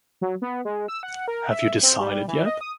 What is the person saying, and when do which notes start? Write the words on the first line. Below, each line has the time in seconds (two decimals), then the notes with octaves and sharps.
Have you decided, yet?
0.21 F#3
0.42 B3
0.65 G#3
0.88 E6
1.03 F#5
1.28 A#4
1.51 E5
1.83 C4
2.00 G3
2.28 E3
2.46 D#5
2.61 D#6